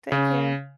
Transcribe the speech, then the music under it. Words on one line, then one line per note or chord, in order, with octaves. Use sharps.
take care.
C#3